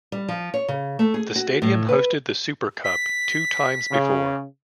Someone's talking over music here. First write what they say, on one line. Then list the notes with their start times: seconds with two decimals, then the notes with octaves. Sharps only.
The stadium hosted the super cup two times before.
0.12 G3
0.28 F3
0.54 C#5
0.68 C#3
0.99 A3
1.14 G#4
1.36 F#4
1.62 A2
1.89 B4
2.84 B6
3.91 C#3